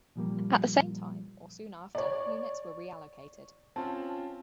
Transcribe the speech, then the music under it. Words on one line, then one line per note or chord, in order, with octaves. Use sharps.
At the same time, or soon after, units were reallocated.
A#2 F3 G3 A#3
C#5 D5
C4 C#4 F4 A5